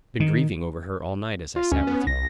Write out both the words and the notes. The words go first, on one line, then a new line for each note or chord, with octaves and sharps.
I've been grieving over her all night as I sat with you....
D#3
F4
D2 C#4
B3
C2 A#6